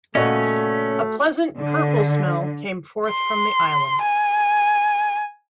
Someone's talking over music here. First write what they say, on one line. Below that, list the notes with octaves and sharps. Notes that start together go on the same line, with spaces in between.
A pleasant "purple" smell came forth from the island.
A#2 C#3 A3 C#4 F#4 C#5 D#5
D3
C6
G#5